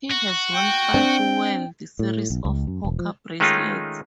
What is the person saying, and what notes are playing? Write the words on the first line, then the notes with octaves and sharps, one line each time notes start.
He has won five World Series of Poker bracelets.
F#4
G5
C4 D4
A2
B1
C#2
F#2
E1
F3
D#3 G#3 A3 C#4 D#4 F4